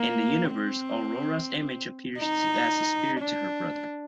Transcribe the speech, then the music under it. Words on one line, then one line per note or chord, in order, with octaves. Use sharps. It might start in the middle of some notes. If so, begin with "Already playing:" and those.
In the universe, Aurora's image appears as a spirit to her brother.
Already playing: A#3
C4
D#4
D4